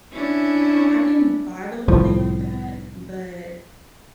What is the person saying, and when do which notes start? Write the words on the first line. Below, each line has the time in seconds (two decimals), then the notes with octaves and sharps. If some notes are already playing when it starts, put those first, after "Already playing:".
I can buy the whole thing like that, but
0.13 C#4 D4 E4
1.88 C2 A2 F3